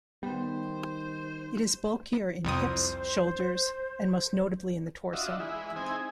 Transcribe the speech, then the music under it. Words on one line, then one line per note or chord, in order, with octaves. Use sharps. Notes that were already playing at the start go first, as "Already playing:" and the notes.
It is bulkier in hips, shoulders, and most notably in the torso.
D#3 G3 B3 C5
C2 F2 C5 D#6
D4 F4 F#4 D#5 E5
E3 G#3 E4
C4 D#4 E4 G#4 G#5